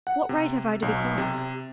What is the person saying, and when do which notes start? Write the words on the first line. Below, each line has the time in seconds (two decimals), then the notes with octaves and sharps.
"What right have I to be cross?"
0.07 F#5
0.29 C3
0.82 B1
1.18 C3